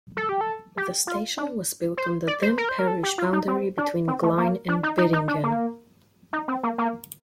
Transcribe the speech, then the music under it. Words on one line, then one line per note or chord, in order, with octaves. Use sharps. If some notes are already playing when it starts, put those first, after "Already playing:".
The station was built on the then parish boundary between Glynde and Beddingham.
A4
G4
A4
G4
F4
D4
C5
D5
C5
A#4
C5
A#4
A4
G4
F4
D#4
C4
D4
C4
A3
A#3
D4
D#4
D#4
D#4
D4
A#3
D#4
C4
A#3
A#3